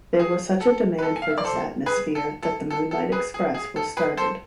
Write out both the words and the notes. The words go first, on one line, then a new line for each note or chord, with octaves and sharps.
There was such a demand for this atmosphere that the "Moonlight Express" was started.
G#4
A4
B4
A4
G#5
F5
E5
D5
A4 C5
G#4 B4
A4
A4
A4
A4
G#4 B4
G#4
G#4
A4
G#4 B4
A4 C5